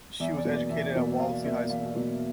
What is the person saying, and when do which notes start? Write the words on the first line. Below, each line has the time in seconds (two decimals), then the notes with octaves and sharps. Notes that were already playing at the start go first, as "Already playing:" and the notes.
She was educated at Wallasey High School.
0.20 E2 E5
0.37 D5
0.45 B2 F#3 A#3
0.54 D5
0.70 E2 E5
0.95 B2 F#3 A#3
1.19 E2 F5
1.45 B2 F#3 A#3 E5
1.70 E2 F5
1.95 B2 F#3 A#3